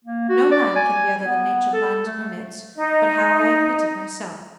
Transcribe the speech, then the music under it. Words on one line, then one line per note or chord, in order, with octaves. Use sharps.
No man can be other than Nature plans or permits, but how I have pitied myself!
A#3
F#4
D5
G#5
B3
A4
A3
D#4 D#5